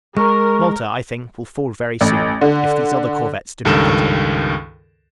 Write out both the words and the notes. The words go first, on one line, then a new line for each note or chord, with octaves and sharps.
Malta, I think, will fall very soon, if these other corvettes do not get in.
G#3 A#4 C#6
A1
D3
C#2 G2 D#3 A4 A#4 E7